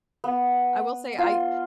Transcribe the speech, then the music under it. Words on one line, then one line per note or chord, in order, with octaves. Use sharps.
I will say I
B3
F4